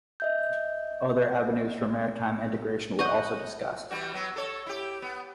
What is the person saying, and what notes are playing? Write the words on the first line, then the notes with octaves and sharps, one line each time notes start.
Other avenues for maritime integration were also discussed.
D#5 E5 G6
D#5 F#5 C#6 G6
E3 G3 F#4
F#3 B3
A4 C#5
E4 G4
B3